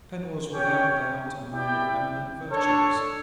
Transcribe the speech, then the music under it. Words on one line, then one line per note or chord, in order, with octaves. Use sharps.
Penn was without doubt a man of eminent virtues.
C#4 G4 C#5 G5
E4 G4 D5 G5
D4 A4 C#5